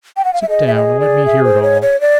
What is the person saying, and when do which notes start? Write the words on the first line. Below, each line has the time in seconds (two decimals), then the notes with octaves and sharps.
Sit down, and let me hear it all.
0.17 G5
0.25 F#5
0.33 F5
0.42 E5
0.49 G#4 D#5
0.67 E5
0.75 D#5
1.00 D5
1.26 E5
1.44 C5
1.63 C#5
1.82 C#5
2.01 D5